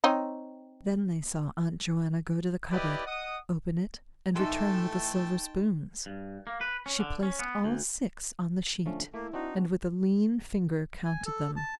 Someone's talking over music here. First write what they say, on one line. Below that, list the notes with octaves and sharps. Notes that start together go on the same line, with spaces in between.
Then they saw Aunt Joanna go to the cupboard, open it, and return with the silver spoons; she placed all six on the sheet, and with a lean finger counted them.
C4 D#4 C#5
E4 G4 B4 D5 D#5
D#5 F#5 D#6
A2 E3 A3 D#4 A4 G5 A5 C6
G2
A#3
B4
C#4
D3
C#4
B3
D2
D3 F3 A3 C#4
A3 A#3 E4
C4 D4 D#4 F#4
G#5
A4
A5